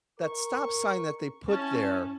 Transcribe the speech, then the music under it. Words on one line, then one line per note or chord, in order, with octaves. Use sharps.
that stop sign that they put there
A#4 C#6
C#4 E4 A5